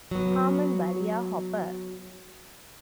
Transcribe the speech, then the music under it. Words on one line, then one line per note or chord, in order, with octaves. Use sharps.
Harman Baillie Hopper.
F#3 B3